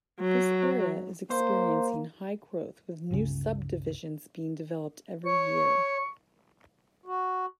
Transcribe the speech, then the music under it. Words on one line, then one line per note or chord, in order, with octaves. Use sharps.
This area is experiencing high growth with new subdivisions being developed every year.
F#3
A#3 C5
G1 C#2 C#3
C#5 C#6
F#4